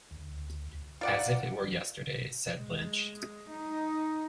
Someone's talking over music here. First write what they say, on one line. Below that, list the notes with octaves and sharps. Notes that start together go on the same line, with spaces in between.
"As if it were yesterday," said Lynch.
D2
F4 D5 F#5
G#3
D#4